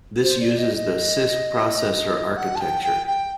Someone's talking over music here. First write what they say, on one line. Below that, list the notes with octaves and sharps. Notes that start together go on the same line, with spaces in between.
This uses the Cisc processor architecture.
C5
D5
D#5
D#5
F#5
A5
G5
G5
G5